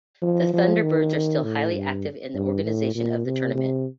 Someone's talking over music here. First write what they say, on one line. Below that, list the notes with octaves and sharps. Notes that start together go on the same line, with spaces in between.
The Thunderbirds are still highly active in the organization of the tournament.
F3
F3
D#3
A2
G2
G2
A2
A#2
C3
C3